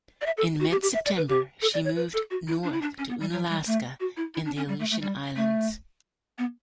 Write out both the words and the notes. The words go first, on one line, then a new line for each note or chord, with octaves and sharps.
In mid-September, she moved north to Unalaska in the Aleutian Islands.
D5
E5
A4
F#4
G4
G4
E5
D5
B4
G4
A4
D5
C#5
B4
A4
F#4
E4
D4
E4
D4
C#4
B3
G3
F#3
G3
A3
F#4
E4
E4
D4
C#4
G3
A3
A3
G3
A3
B3